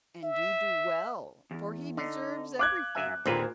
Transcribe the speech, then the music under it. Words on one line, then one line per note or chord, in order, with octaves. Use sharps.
'And you do well, for he deserves everything.
E5
E2
D3 D#4
F5 D6 F#6 G#6
F#2 E5 G#5
D#2 A#2 D3 C4 G#4 B4 C5